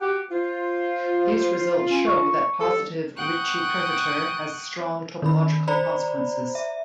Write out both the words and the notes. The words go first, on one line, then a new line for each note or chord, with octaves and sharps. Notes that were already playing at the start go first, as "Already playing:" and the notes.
These results show that positive Ricci curvature has strong topological consequences.
F#4 G4 F#5
F4 C5
C#4
C#6
G3 A4
F#5 G5 C#6 D#6 F#6
D#3 B5
C5 D5 A#5 B5
E5